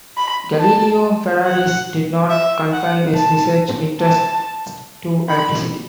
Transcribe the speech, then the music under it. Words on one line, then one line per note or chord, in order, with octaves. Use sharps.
Galileo Ferraris did not confine his research interests to electricity.
B5
A5
F#5
E5
F#5
A5
A5
B5